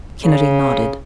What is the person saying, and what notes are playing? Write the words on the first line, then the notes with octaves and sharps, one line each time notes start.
Kennedy nodded.
C#3